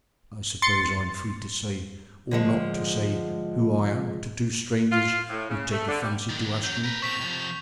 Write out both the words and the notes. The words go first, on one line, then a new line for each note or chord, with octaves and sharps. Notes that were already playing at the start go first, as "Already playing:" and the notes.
"I suppose I am free to say or not to say who I am to two strangers who take a fancy to ask me."
C6 A6 C#7
D3 F3 G#3
F4
A2
C#3
A3
D3
G3
D3 D#3
F#3 C#4 G6
A#4 B4
A2 C4 C#6 B6 F7
C3 F3